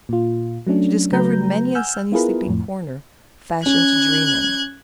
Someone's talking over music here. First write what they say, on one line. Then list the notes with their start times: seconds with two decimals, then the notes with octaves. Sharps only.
She discovered many a sunny, sleepy corner, fashioned to dream in.
0.09 A#2 F4
0.67 F#3 A3 C#4 D4
1.12 C#3 F#3 A3 B4 A#5 G6
1.75 F#5 G#5 E6 F6 G6
2.12 B3 E4 F4 G#4 A#4 B4
2.47 F2 A2
3.66 C#4 F#6 G#6